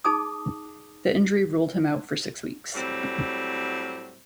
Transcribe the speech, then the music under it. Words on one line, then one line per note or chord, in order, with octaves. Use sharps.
The injury ruled him out for six weeks.
D#4 G#4 A5 D6 D#6
A2 F#3 G3 C4